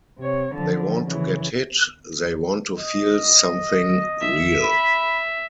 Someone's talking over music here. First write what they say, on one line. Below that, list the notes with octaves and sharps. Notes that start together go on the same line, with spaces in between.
They want to get hit, they want to feel something real.
C3 C#5
D3 F3
C#3 E3
D#5
E5
B5